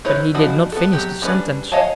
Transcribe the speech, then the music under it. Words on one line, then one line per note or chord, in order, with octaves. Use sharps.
But he did not finish the sentence.
D#4 E4 B4 C#5
E3 F3 D4 D#4 F#4
B3 A4
F#3 G4
G3 C#4 D4 B4
C#5 D#5 F5 G#5 A5